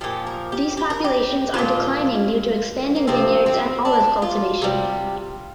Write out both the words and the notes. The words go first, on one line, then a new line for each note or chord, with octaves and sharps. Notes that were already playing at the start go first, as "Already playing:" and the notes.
These populations are declining due to expanding vineyards and olive cultivation.
A#2 F3 G4
A#4
G4
G4
A#4
G4
A#2 F3 F4
A#3
C3 F3 C4
C4
D4
F4
C3 G3